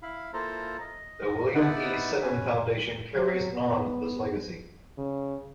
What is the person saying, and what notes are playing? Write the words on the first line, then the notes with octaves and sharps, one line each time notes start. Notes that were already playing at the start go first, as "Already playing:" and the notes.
The William E. Simon Foundation carries on this legacy.
E4 F5 B5
A#3 E4 F4 A4 C5 A#5
D#5
B3 D#4 E4 B4 D5 F#5
C#4 B4 G#5
F#3
B3
C#3